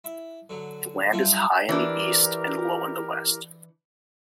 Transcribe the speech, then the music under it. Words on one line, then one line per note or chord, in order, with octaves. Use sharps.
The land is high in the east and low in the west.
E4
D3 F#3
F#3 G3 C#4 D4 E4 F4
E3 D4 E4 G4 A#4